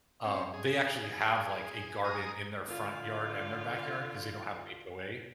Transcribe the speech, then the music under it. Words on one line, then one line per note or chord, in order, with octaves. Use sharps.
um, they actually have, like, a garden in their front yard and their backyard 'cause they don't have an HOA,
C4 C#4
G#4
G#4 A#5 D#6
D3 F4